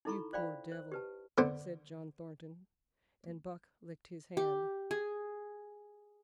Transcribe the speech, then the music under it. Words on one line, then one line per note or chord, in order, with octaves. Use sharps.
"You poor devil," said John Thornton, and Buck licked his hand.
D#4 E4 A4 A#5 B5 C#6
F4 C5 D5 F5 G5 B5
C5
G4 B4 A5
D3 B3 C5
G4
G#4